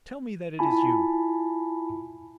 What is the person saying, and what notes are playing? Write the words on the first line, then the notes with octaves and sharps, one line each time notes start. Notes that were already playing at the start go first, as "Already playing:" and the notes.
Tell me that it is you!
E4 F4 G#5 A5 B5